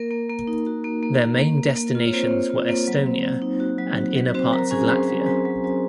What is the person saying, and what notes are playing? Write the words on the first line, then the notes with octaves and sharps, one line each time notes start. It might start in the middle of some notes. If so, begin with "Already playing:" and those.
Their main destinations were Estonia and inner parts of Latvia.
Already playing: A#3 A#4
A#3
A#3
D#4
F#4
A#3
A#3
A#3
A#3
A#3
A#3
F4
C#5
A#3 C4 C5
A#3
F4
A#3
F#3
C4
C4
D#4
F#4
F#3
F#4
F#3
C4 F#4 C5
F#3 A#4 A#5
C#4 G#4 G#5
F#3 C5 C6
F#3
F#3
F#3
F#3